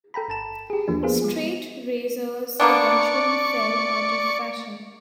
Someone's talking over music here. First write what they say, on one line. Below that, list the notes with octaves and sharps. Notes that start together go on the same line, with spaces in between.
Straight razors eventually fell out of fashion.
A4 G5 A#5 B5
G1 A5 E7
G4 G#4
E2 F3 A#3 D4
B3 F4 G#4 A#4 C5
G#3
A#3 B3 D4 D5 C#6